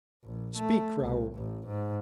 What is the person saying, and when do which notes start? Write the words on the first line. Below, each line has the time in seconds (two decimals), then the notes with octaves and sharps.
"Speak, Raoul."
0.24 A#1
0.57 A3
1.00 C2
1.36 A1
1.68 G#2